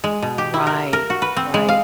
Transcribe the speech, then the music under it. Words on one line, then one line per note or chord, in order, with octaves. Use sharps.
Right, right,
G#3
B2
G4
E4
A#4
A#4
F#4
B4
C4
G#3
F5